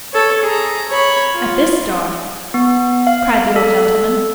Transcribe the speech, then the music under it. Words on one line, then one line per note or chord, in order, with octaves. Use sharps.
'At this door!' cried the old gentleman.
A4 C#5
G#4 A#5
C#5 B5
F4
B3
F5
A4